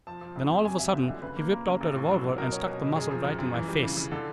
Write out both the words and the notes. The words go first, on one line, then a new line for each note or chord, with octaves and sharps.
Then, all of a sudden, he whipped out a revolver and stuck the muzzle right in my face.
F3 A5
F3
F2
C3
F#1 G#5
F#3 E5
F#1 E5
D3
C#3 B4
A#3
A#3
C#3
A1
A2
F#3
F#3
B2 A#4
C#4
B2
B2
F#2 G#4
F3
F#2
F#2
E3
G3
C#3
C#3
D3 A4